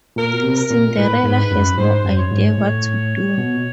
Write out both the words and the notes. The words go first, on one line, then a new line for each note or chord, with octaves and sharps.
Cinderella has no idea what to do.
A#2 A#4
B2
C3
A#4
A#2
A2 B4
G#2
F#2
G#2 C5
F#2
C#5
G#2
A2
B2